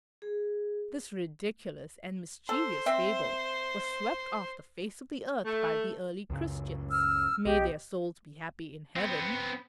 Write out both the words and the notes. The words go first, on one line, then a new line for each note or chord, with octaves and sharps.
This ridiculous and mischievous fable was swept off the face of the earth by the early Christians--may their souls be happy in Heaven!
G#4
A4 C5
C4 E5
A3
C#2 F#2 C#3
E6 F6
B1 G4 D#5
B3 C4